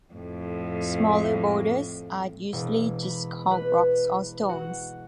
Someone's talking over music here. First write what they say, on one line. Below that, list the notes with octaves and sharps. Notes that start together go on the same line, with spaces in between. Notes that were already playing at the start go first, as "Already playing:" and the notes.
Smaller boulders are usually just called rocks or stones.
F2 A2
E1
B5
B4
F#4